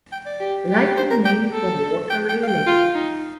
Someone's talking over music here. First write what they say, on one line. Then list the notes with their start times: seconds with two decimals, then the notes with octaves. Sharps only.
Likely named for Walter Raleigh.
0.12 G5
0.26 D5
0.40 G4
0.69 G4
0.97 C5
1.11 A#4
1.25 G5
1.53 A4
2.10 G5
2.29 G5
2.43 F5
2.48 G5
2.67 F4
2.95 D#4